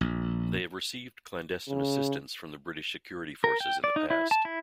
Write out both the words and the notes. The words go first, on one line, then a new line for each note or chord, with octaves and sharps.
They have received clandestine assistance from the British security forces in the past.
A#1
C#3
A#4
G5
D5
D#4
E4
A5
E4